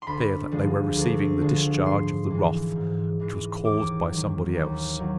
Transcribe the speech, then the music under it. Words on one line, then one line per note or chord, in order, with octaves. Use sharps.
It was clear that they were receiving the discharge of the wrath which was caused by somebody else.
D2 B5 C6
D3 F3 G#3
D2
D3 F3 G#3
G#2 C6
E3 G#3
G#2
E3 G#3
D#2 D6
D#3 F#3
D#2
D#3 F#3